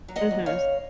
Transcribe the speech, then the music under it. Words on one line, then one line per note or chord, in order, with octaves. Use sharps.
Mhm. S
F#3
D#5 F#5
D#2
C#5 F5
C#3